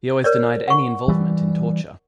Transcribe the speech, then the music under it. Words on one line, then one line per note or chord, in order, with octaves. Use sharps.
He always denied any involvement in torture.
A#4 C#5 D5
F#5 C#6
E3 G3